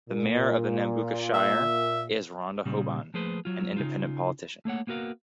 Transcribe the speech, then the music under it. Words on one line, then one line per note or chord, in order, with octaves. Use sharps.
The Mayor of the Nambucca Shire is Rhonda Hoban, an independent politician.
A#2
E5
A#2 C#3 G3
F3 A3 A#3 G#4 B4 C5
F#3 F4
C#3 D#4 F4
A3 A#3 C#5 F#5
A#3 B3 F#4 A#4 F5